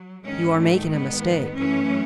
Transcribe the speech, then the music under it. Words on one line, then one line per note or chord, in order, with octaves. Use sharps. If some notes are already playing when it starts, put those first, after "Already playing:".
"You are making a mistake."
Already playing: F#3
G#2 D#3 G#3 C#4
A3
B3
F#2 E3 A3 C#4